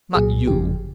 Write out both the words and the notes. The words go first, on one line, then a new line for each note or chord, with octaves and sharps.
Not you!
C2 A#2 F#3 G#4
G1 F2 C#3 F3 G4